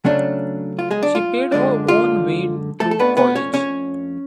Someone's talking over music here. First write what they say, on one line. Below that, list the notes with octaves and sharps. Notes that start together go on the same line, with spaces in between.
She paid her own way through college.
C#3 F#3 A3 C#4 D4
F4
G#3 G#4
D4
F4
F#2 D3 G#3 D4
F4
A3 A4
A4
F2 F3 A3 B3 D4 B4
B3 B4
C#4 C#5
C#4 C#5